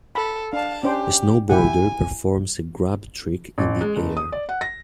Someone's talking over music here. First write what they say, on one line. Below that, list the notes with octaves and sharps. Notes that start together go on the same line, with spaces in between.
A snowboarder performs a grab trick in the air.
A4 B5
D4 F5 A5
C#4 D4 G4 C5
E4 G4 F#5 G#5
A1
G#3
F#1
D#6
D5
F#5
A#6